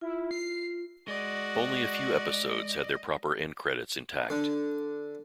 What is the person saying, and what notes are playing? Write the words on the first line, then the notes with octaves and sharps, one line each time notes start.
Only a few episodes had their proper end credits intact.
E4 F4
C7
G#3 F#4 D5 D#5
D3